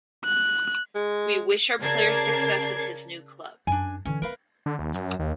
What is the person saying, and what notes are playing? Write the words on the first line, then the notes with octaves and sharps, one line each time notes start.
We wish our player success in his new club.
F#6
G#3
C#3 A#4 D5 A5 G#6 C7
F#2 D4 G#5
D3 E3 C#4
B3 A#4 B4 F5
D3
D#2
F#2
D#2